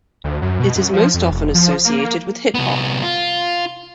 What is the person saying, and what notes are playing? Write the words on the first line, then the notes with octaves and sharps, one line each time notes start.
It is most often associated with hip hop.
D2
F#2
B2
F#2
F3
F2
F1
F3
A#3
C2 B3
F4